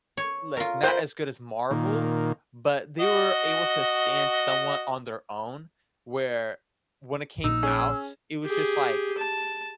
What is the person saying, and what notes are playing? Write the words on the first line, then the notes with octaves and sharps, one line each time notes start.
like, not as good as Marvel, but they were able to stand somewhat on their own, where when it came out, it was just, like
C#5
F4 A#4
A#4 C5 B5
A#2 D#3
F#4 D#5
A#1 A#2 D#4 E6
C#4 G#4
G4 G#4
A5